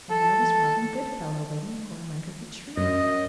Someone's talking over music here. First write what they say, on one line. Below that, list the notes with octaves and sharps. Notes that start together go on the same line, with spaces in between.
And there was Robin Goodfellow waiting for him under the tree!
A4
F#2 D#5